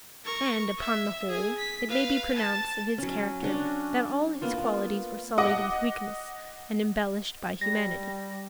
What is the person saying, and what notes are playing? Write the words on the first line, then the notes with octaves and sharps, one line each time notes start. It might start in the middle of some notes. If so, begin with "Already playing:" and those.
And, upon the whole, it may be pronounced of his character, that all his qualities were sullied with weakness and embellished by humanity.
A#4 C#6
E5
G#4 G#5
B6
B4 F5
A5
F#3 C#4
C#4 D4 F#4
A#3 B3 F4
D#5 F#5 D6 D#6
G3 A#6